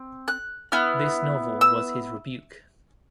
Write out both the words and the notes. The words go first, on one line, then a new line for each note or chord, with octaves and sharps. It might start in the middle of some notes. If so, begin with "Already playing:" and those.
This novel was his rebuke.
Already playing: C4
F#6
B3 E4 F6
E6